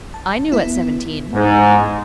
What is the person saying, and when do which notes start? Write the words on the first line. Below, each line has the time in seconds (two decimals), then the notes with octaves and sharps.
"I knew at seventeen."
0.14 A5
0.52 B3 E4
1.34 G#2